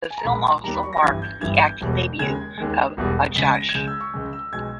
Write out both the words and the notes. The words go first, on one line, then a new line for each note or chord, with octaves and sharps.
The film also marks the acting debut of Badshah.
G#5
A#5
A#1 A#2 G#3 B5
D#2 D#3 G3 A#5
B5
C#6
A#6
G1 G2 E3 G#6
G6
G1 G2 E3 G#6
G6
E1 E2 B2 G3
D#2 C#3 G#3 G#6
D#2 D#3 G#3
E1 E2 B2 G3
C#2 C#3 G#3 B6
A#6
G#6
C#2 C#3 G#3 G6
E6
C#6
C#2 C#3 G#3
E6
B1 B2 G#3 G#6